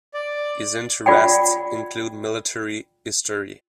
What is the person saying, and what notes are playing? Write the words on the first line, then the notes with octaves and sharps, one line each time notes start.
His interests include military history.
D5
F4 D5 F#5 G5